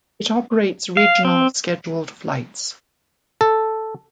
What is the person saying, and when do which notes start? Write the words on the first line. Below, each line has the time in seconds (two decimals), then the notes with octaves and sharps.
It operates regional scheduled flights.
0.97 F5
1.25 C4
3.41 A4